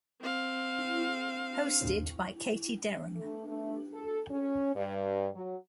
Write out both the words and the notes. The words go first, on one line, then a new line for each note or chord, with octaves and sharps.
Hosted by Katie Derham.
C4 F5
A3
A3
A4
C#4
G2
F#3